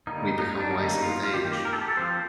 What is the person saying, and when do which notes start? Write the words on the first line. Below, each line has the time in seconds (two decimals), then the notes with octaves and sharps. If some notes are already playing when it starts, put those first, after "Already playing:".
We become wiser with age.
0.07 D3 G3 A#3 D#4
0.39 D#4
0.59 D4
0.71 D3 G3 A#3 D#4
1.03 F4
1.24 F4
1.34 D#3 A#3 G4
1.65 A#4
1.73 A4
1.82 G4
1.88 A4
1.97 F3 C4 C5